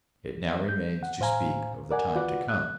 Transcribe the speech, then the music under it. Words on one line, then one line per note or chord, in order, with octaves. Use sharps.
It now remains to speak of the time to come.
G6
F#5
A2 C5 F5 G#5 A#5
A#4 D5 F#5 G#5
F4 F#4 B4 D5 F#5
F#6